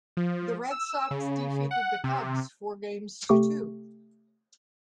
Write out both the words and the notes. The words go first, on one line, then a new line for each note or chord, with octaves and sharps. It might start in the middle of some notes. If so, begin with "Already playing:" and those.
The Red Sox defeated the Cubs four games to two.
F3
E6
C#3
F#5
C3
C3 A3 G4 C#6